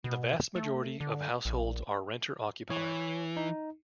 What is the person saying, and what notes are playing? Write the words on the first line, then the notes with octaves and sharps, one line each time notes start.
The vast majority of households are renter occupied.
B2
A3
D3
A#1
E3 C#5
D#4